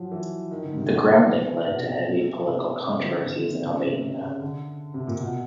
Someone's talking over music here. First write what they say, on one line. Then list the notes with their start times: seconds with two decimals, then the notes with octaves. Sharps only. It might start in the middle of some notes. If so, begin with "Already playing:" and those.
The grounding led to heavy political controversies in Albania.
Already playing: F3 F#3
0.12 E3
0.51 D#3
0.63 D3
0.76 C3
0.89 B2
1.10 C3
1.68 B2
1.87 C3
2.46 C3
2.85 C#3
2.98 D3
3.12 D#3
3.25 D3
3.63 C#3
3.84 C3
4.02 C#3
4.23 C#3
4.41 D3
4.94 C3
5.07 A#2
5.20 B2